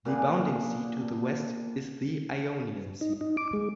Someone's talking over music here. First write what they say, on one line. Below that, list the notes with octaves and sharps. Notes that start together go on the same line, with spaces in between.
The bounding sea to the West is the Ionian Sea.
A#2 B3 D4 G#4
D#4
D#4
D6
G#3